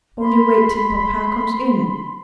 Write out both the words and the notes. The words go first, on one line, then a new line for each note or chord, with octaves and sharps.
'Only wait till papa comes in.
B5 C6